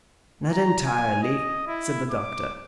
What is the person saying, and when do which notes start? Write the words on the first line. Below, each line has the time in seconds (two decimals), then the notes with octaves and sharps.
"Not entirely," said the doctor.
0.52 A#5
0.86 G#5
1.23 D#5
1.67 E4
2.11 D6